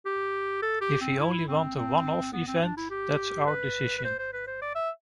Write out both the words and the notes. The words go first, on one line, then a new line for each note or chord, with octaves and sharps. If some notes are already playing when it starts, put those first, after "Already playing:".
If we only want a one off event, that's our decision.
G4
A4
G4
C4
E4
C4
C4
B3
C4
D4
E4
G4
B4
B4
C5
C5
B4
C5
D5
E5